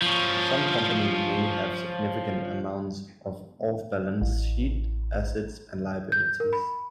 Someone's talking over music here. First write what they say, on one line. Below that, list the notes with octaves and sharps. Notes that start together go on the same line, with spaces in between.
Some companies may have significant amounts of off-balance sheet assets and liabilities.
F3 C#4
A1
G6
A#4
B5